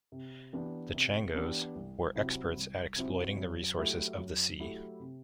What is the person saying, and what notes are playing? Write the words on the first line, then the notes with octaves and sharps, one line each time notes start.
The Changos were experts at exploiting the resources of the sea.
C3
E3 B3 D4 G4
C3
E3 B3 D4 G4
C2
C3 F#3 C4 E4
C2
C3 F#3 C4 E4
F#2
F#3 A3 E4 G4
F#2
F#3 A3 E4 G4
C3